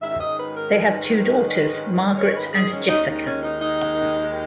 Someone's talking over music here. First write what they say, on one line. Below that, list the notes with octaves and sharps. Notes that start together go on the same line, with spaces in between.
They have two daughters, Margaret and Jessica.
G#2 D#3 G#3 C#4 E5
D#5
B4
A#4
B4
C#5
B4
G#4
C#4
D#2 D#3 G#3 C#4 D#4
D#4
C#4
D#4
D#4